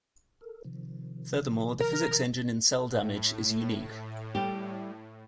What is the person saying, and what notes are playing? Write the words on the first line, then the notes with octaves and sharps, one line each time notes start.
Furthermore, the physics engine in "Cel Damage" is unique.
A4 A#4
C3 D#3 F3
A#4
A2
G3 G4